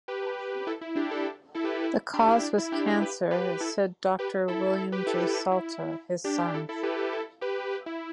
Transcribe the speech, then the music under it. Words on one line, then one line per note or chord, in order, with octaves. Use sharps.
The cause was cancer, said Doctor William J. Salter, his son.
G4 B4
E4 A4
E4
D4 G4
E4 A4
E4 A4
G4 B4
E4
D4 G4
E4
D4
E4
D4 G4
G4 B4
G4 B4
E4 A4
G4 B4
E4 A4
E4 A4
G4 B4
E4 A4
E4 A4
E4
D4 G4
E4 A4
E4 A4
G4 B4
G4 B4
E4 A4
G4 B4
G4 B4
E4